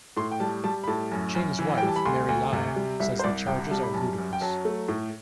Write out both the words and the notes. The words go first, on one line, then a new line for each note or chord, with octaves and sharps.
Ching's wife, Mary Lau, says the charges are ludicrous.
A2 C6
G5
G3 A5
G3 A5
B5
A2 A5
F#2
F#2
E3
G5
G3
A5
B5
D2 C6
D2
C3
G3
C2 E5
C5
C2 D5
C3 G5
G3 A5
B5
F#2 A5
F#2
G5
F#3 A5
A3
A2